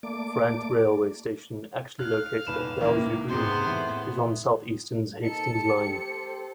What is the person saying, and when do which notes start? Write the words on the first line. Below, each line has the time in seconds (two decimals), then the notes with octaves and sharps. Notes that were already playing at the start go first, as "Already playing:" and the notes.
Frant railway station, actually located at Bells Yew Green, is on Southeastern's Hastings Line.
0.03 A3 A#3 D5 D6
1.99 F5 F#6
2.47 D#1 B4 E7
2.80 C#2 D#3 E3 A#3
3.28 G#2 C3 G#3 B3 C5
3.65 A2 E3
5.23 C3 A#3 D#4 A4 A5 C#7
5.61 A3 G4
5.92 A4 C5